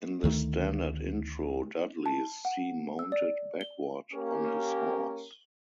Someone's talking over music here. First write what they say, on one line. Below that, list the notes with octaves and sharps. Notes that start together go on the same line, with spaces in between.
In the standard intro, Dudley is seen mounted backward on his horse.
D2 D#3 A3
A5
F#5
E6
D5
G7
A#3 C#4 G4 A#4